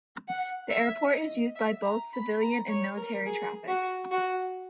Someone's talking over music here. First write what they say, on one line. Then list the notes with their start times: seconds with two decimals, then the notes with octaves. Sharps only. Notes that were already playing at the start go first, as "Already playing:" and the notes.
The airport is used by both civilian and military traffic.
0.28 F#5
0.70 E5
1.13 D#5
1.55 E5
1.84 A#5
2.13 B5
2.41 A#5
2.69 C#5
2.97 A#4
3.26 G#4
3.68 F#4
4.11 F#4